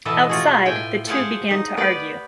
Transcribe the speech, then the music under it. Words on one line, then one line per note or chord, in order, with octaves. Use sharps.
Outside, the two began to argue.
B2 E3 A4 D#5
F4 F#4 G#4
A2 G5 G#5
G4 G#4 C5 F5 F#5 A5
D#4
B3 G4 B4 D5